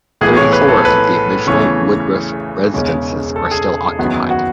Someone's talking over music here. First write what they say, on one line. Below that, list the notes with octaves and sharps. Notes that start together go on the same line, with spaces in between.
Thirty-four of the original Woodruff residences are still occupied.
B1 A2 E3 B3 G#4
C#5
B4
A4
B4
E2 C#3 E3 A3 C#5
E1 E2 C#3 G#3 C#4
A4
G#4
F#1 E2 D#3 F#3 B3
F#4